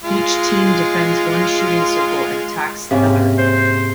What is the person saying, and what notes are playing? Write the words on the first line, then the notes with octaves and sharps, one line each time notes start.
Each team defends one shooting circle and attacks the other.
G#3 F4
G#2 C3 A#3 C#4
C5